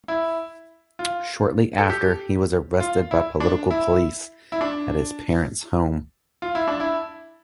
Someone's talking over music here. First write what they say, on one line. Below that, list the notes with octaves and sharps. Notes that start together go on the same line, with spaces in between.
Shortly after, he was arrested by political police at his parents' home.
E4
F4
A4
G4
F4
E4
D4
E4
E4
D4
F4
E4
D4
E4